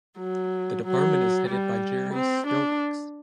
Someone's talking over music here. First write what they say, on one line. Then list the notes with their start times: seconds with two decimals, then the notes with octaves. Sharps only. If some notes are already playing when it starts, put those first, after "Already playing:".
The department is headed by Jerry Stokes.
0.18 F#3
0.83 F#3
1.47 G3
2.13 C4
2.46 D4